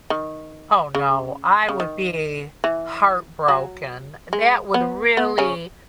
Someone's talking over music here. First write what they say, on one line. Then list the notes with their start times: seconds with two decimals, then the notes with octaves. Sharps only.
Oh, no. I would be heartbroken. That would really,
0.10 D#3
0.95 C#3
1.69 C#3
1.80 D#3
2.64 E3
3.48 F#3
4.33 G#3
4.74 B3
5.17 B3
5.38 C#3 C#4